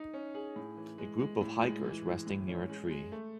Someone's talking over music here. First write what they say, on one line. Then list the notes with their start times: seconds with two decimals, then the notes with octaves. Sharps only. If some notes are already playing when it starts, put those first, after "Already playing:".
A Group of hikers resting near a tree.
Already playing: D#4
0.14 C#4
0.35 G#4
0.56 A2
0.77 E3
0.98 G#3
1.19 G#3
1.41 A2
1.62 G#3
1.84 E3
2.06 E3
2.27 A2
2.48 C#4
2.69 G#3
2.91 G#3
3.12 A3